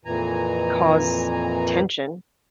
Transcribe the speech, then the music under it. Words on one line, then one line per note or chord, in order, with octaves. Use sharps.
cause tension.
F2 A#2 E3 G#5 A#5